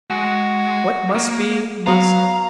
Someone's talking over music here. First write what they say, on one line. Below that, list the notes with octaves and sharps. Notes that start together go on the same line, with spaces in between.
What must be, must....
G#3 F#4
A#3
F#3 B3 F5 A#5